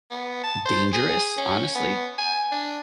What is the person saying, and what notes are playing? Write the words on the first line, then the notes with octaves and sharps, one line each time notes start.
dangerous, honestly.
B3
A5
C5
G#4
C#4
B3
G#5
D4